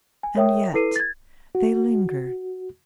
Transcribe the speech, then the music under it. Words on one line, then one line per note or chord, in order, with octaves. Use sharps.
And yet they lingered.
G#5
A#4 C#5 E5 G5 D#6
E4 A4 B4 C7 D#7
G#6 A6
F#4